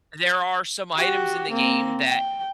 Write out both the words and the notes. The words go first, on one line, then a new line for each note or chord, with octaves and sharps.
there are some items in the game that
F#4 G4
A#3 C4
G5